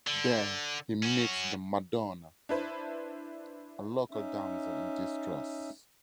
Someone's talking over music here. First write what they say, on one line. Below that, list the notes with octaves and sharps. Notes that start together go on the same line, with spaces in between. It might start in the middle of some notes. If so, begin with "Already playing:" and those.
There, he meets the "Madonna", a local damsel in distress.
D3
C#4 F#4
D4 E4 B4 C5
C#4 D#4 E5